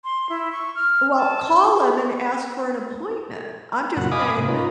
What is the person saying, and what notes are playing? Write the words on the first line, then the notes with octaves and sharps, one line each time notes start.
Well, call him and ask for an appointment. I'm just saying,
C6
E4
C#6
F6
A5
F#2 A#2 C#3 F#5
D#5 F5 G#5 B5 D6 D#6
G#2 C3
C#4 D#4 F4 A#4 B4